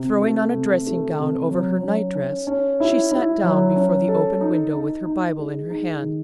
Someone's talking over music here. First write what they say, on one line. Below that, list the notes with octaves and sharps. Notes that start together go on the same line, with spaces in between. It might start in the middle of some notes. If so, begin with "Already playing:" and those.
Throwing on a dressing-gown over her night dress, she sat down before the open window with her Bible in her hand.
Already playing: C3
A3
C3
A3
C3
F#3
C#4
C#4
C#4
E4
E4
F#3
C#4
A4
D#4
D#4
D#4
G#3
D#4
D#3